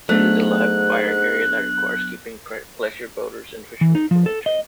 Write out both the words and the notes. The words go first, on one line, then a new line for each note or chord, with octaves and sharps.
It is a live-fire area that requires keeping pleasure boaters and fishermen from entering.
G#2 F#3 A3 B3 D4 F#6
E3
D#4
F3
A4
D#5